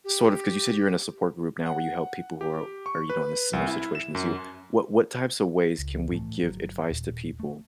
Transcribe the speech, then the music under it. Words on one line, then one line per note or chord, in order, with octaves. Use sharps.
sort of 'cause you said you're in a support group now where you help people who are are, you know, in the similar situation as you, what what types of ways can we give advice to people,
G4
F#5
G4
C#6
B4
C2
E4
E7
F#2
C#2
A2 E3 F3 A3
G1 F#3
D#1
A3